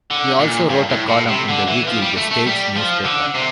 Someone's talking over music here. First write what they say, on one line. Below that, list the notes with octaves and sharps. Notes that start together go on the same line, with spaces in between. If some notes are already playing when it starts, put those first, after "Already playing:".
He also wrote a column in the weekly "The Stage" newspaper.
D3
A#2
G2
A2
A2
C3
D3
E3
F3
G3
A3
A3
G3
F3
D3
C3